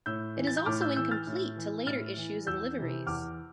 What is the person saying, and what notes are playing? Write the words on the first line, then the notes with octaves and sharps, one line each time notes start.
It is also incomplete to later issues and liveries.
A2 E6 G6
E3
A6
G6
A2 D6 F6
E6 G6
E3 E6 G6
F6 A6
A2
E3
A2 F6 A6
E3
E2 E6 G6
C3 E3
E2 D6 F6